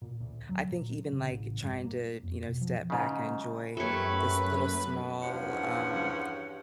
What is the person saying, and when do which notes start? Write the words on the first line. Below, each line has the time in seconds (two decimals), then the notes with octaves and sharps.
I think even, like, trying to, you know, step back and enjoy this little small, um,
0.02 A#2
0.20 D2
0.49 F#3
0.72 A#2
1.13 C#3
1.30 A1
1.62 G2
1.84 A#3
2.23 F2
2.46 B2
2.61 F3
2.90 G#2 C#3
3.77 F#2 A3 A#3 G4 B4 C#5
5.22 E2 G2 F3 C#4 F5 F#5